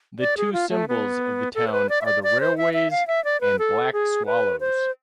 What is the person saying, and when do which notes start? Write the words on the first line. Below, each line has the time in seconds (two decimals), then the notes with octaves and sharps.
The two symbols of the town are the railways, and black swallows.
0.20 D5
0.37 G#4
0.53 F4
0.70 A3
0.88 B3
1.55 A4
1.68 C5
1.72 B4
1.89 D5
2.01 E5
2.05 D5
2.23 D5
2.41 C5
2.57 E5
2.73 E5
2.91 F5
3.08 E5
3.25 D5
3.41 B4
3.59 A4
3.93 G#4
4.26 B4
4.60 C5